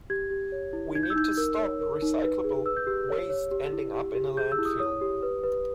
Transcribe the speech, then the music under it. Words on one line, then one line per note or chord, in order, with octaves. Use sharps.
We need to stop recyclable waste ending up in a landfill.
G4 G#6
G4
C#5
E4
D#4 G#6
G6
E6
D#4 G6
A#4 E6
C#5
A#4
D#4
B4
G#4
B4 E6
G6
G4 E6
C#5
C#5
G4
E4
G4
G4
G#4 G6
E6
E4
D#6
C#5 D#6
G4
B4
B4